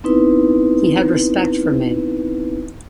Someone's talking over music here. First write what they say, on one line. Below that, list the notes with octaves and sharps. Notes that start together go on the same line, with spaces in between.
He had respect for me.
B3 C4 D#4 E4 B4